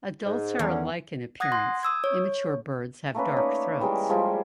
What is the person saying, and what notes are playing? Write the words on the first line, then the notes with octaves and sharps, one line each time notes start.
Adults are alike in appearance; immature birds have dark throats.
G#2
E2 D3 C#4 D5
F#5 D#6 F#6 G#6 A#6
C6
D#6 E6 G#6
C#5
A3 A#3 C#4 B4
D#4 C#5 D5
E3 G3 G#3 A#4
F3 G3 G#3